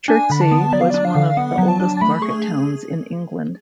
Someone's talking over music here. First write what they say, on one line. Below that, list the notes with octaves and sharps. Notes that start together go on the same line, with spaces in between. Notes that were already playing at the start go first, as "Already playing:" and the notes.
Chertsey was one of the oldest market towns in England.
D4 G#5
D3 B5
A5
B3
F#3 D5
F5
D4 D5
F5
D3
B3 F#5
F#3
A5
D4
A5
A3 B5
G#4 C#6